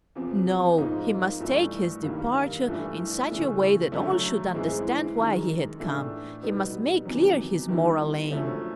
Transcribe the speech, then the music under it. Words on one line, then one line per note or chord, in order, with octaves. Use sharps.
No, he must take his departure in such a way that all should understand why he had come, he must make clear his moral aim....
E2 C3 F3
G#2 F3 A#3 D#4
G2 E3 A3
G2 D#3 G3 A#3
G2 E3 A3 D4
C#3 E3 A3
F#2 D3 F#3 A3
G#2 E3 G#3 C4 E4
F#2 D#3 G#3
A2 E3 A3 D4
B2 G3 B3 D#4
E2 C3 D#3 F#3
D#3 G3 B3 E4
F#2 D3 F3 A3 C#4